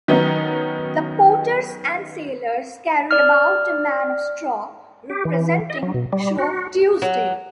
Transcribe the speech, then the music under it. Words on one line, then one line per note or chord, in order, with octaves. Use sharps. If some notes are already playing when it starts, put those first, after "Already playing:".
The porters and sailors carried about a man of straw representing Shrove Tuesday.
D#3 F#3 B3 C#4 D#4
D5 F6
G4
E3
D#5
F#3
B2
G3
F#4
F#3